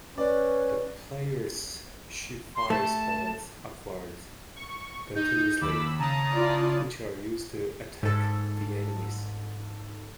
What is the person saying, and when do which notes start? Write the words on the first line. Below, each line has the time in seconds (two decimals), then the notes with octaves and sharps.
The player's ship fires bullets upwards continuously, which are used to attack the enemies.
0.18 C#4 B4 D5
2.56 C6
2.70 A3 A5
4.56 C#6
5.16 D#4 G6
5.61 D#2 B5 D6 E6
5.99 C#3 A5 A#5 D#6
6.34 E4 F4 D5
8.03 G#2 A4